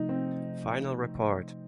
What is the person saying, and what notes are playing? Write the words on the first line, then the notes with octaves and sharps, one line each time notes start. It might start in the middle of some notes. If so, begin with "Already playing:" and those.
Final report.
Already playing: C3 F3 A3 D#4
C4